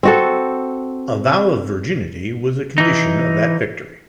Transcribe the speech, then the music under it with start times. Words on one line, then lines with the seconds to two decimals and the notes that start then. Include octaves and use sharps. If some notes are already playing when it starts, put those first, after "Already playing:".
A vow of virginity was a condition of that victory.
0.03 C4 F#4 A4
2.78 E3 D#4